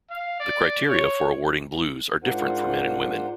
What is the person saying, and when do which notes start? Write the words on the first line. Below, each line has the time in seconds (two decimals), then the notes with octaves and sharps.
The criteria for awarding blues are different for men and women.
0.10 F5
0.40 D5
0.89 C#5
2.24 G#2 D4 F4 A#4 C5 F#5